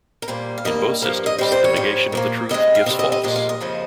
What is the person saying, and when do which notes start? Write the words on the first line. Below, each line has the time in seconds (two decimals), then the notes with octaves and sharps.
In both systems the negation of the truth gives false.
0.22 A#4
0.28 A#2 G3 A#3 C5
0.58 F5
0.65 G2 G3 A#3 D#5
1.02 G2 F3 A#3 F5
1.26 D#5
1.38 C3 G3 C4 C5
1.52 C5
1.64 C#5
1.76 G#2 F3 G#3 C4
2.12 A#2 F3 A#3
2.49 D#2 C#3 G#3 C4 D#5
2.75 F5
2.86 C3 G3 C4 D#5
2.99 D#5
3.12 D#5
3.23 A#2 F3 G#3 D#5
3.36 F5
3.49 D#5
3.61 F2 C#3 F3 G#3